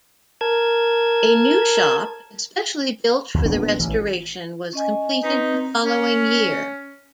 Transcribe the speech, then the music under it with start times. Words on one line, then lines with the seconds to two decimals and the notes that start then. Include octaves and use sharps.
A new shop, especially built for the restoration, was completed the following year.
0.41 A#4 A5 G#6
3.34 D#2
3.46 A#1 A#2 B3 D4
3.80 A1 E3
4.73 C#4 D#5 G#5
5.23 C4 D#4 B4
5.84 C#4